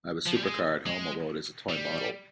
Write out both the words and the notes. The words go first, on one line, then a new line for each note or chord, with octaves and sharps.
I have a supercar at home, although it is a toy model.
F3
G3
G#3
G#3
G3